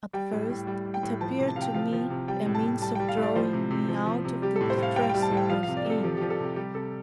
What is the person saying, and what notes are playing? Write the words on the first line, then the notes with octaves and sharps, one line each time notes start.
At first it appeared to me a means of drawing me out of the distress I was in.
G3 G5
A2
A2
G3 G5
G3
G5
A2
F3 A5
C3
A5
C3 F5
G5
F3 F5
F3
C3
G3 G5
A2
A5
A2
G3 A5
G3 G5
F5
A2
D5
F3 C5
C3
C3
F3
F3
C3
G3 G4
A4
A2
C5
A2 F5
G3 G5
G5
G3
A5
A2
G5
F3 F5
F5
C3
D5
C3
A4
F3 G4
F3 G4
A4
C3
G4
G3 G4
C3 A4